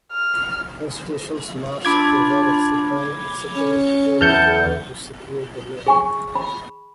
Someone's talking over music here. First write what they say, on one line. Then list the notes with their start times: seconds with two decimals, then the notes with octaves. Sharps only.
Institutions must provide acceptable collateral to secure the loan.
0.13 F6
1.85 D4 F4 B5 D6 G#6
3.54 C#4 C#5
4.21 E2 A5 F6 G6 C#7
5.87 G#4 G#5 C#6
6.35 B5